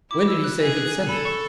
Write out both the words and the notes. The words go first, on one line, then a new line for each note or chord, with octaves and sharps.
"When did he say he'd send it?"
E4 D6
E6
F#6
G#4
F#6
G#6
A4 B5
C#6